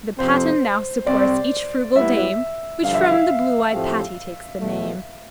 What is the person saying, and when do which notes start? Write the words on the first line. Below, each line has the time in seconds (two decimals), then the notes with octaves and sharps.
The patten now supports each frugal dame, Which from the blue-eyed Patty takes the name.
0.18 F2 C3 F3 C4 C5
1.07 C3 G3 C4 D5
1.96 G3 B3 E4 B4 E5
2.83 G2 D3 F3 F5
2.94 E5
3.04 F5
3.72 A2 F3 A3 C4 G4
4.60 E2 B2 A3